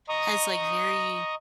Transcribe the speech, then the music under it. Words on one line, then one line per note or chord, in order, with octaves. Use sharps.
has like, very,
D#5 A#5 C#6 D#6